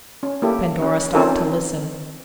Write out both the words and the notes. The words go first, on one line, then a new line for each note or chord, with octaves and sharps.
Pandora stopped to listen.
C#4
A#3 E4 G4 A4
C#4
C4 C#4 D#4 F4 A4 A#4